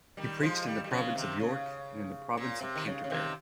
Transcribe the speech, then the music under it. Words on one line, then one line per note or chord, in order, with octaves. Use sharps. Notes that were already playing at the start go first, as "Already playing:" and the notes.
He preached in the Province of York and in the Province of Canterbury.
D#3 G3
F3 G#3
D#3 G3
G3
C#3 F3
C3 D#3
C#3
A#2
C3
D#3
C#3
C#3
C3 D#3